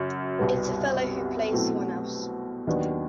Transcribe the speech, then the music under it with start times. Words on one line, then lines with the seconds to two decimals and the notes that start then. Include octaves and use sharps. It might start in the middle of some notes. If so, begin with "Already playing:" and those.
It's a fellow who plays someone else.
Already playing: F#2 C#3
0.39 C2 B2 G3 B3
1.52 B2 F#3 A3 C4 E4
2.67 D#2 D#3 F#3 B3 D4